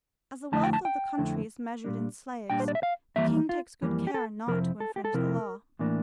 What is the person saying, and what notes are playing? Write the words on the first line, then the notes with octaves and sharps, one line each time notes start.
As the wealth of the country is measured in slaves, the king takes good care not to infringe the law.
F2 D3 A3 E4 A5
G5
A5
G5
F2 D3 A3 E4
A#2 G3 D4
A#2 G3 D4 G5
C5
D5
E5
F5
F2 E3 G3 A#3 E5
F4
F2 E3 G3 A#3
G4
A4
F2 C3 F3 C4 E4 A#4
A4
G4
A4
F2 C3 F3 C4 E4 A#4
A2 E3 A#3 D4